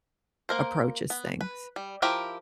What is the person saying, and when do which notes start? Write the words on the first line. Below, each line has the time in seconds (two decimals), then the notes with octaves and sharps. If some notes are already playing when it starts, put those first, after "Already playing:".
approaches things?
0.49 A#3 A#4 C5
1.10 B3
1.41 B4
1.76 G3
2.02 F3 E4 G4 A#4 G5